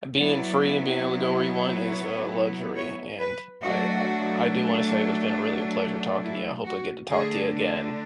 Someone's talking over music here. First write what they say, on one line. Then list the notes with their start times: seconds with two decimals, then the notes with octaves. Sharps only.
being free and being able to go where you want is a luxury and I I I do wanna say it's been really a pleasure talking to you, I hope I get to talk to you again.
0.17 F#3 B3 E4 D5
1.90 C#5
2.76 C#5
3.20 B4
3.63 F#3 A3 D4 F#4
6.22 E4
6.66 F#4
7.09 D3 A3 D4 G#4